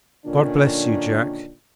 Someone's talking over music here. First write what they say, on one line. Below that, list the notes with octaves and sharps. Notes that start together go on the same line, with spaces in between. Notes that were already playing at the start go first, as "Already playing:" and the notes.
God bless you, Jack.
A#2 D3 D#3 C#4 D4